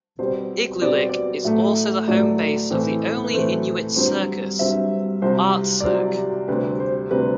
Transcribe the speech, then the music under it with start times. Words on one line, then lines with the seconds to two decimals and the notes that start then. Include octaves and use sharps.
Igloolik is also the home-base of the only Inuit circus, Artcirq.
0.19 B2 G3 C4 C5
0.81 B2 G3 C4 D5
0.95 C5
1.09 D5
1.44 A2 F#3 A3 E5
2.07 A2 F#3 A3 D5
2.71 A2 E3 A3 C4
3.24 B4
3.33 A2 E3 A3 C4 C5
3.96 G2 F#3 C4 C5
4.59 G2 F#3 C4 E5
5.22 C2 C3 F#3 C5
5.80 D5
5.85 C2 C3 F#3 C5
6.48 D2 C3 G3 C4 B4
6.80 C5
7.11 D2 C3 G3 C4 B4